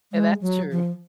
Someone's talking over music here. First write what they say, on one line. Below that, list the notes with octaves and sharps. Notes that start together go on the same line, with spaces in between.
and that's true.
G#3
F#3
F3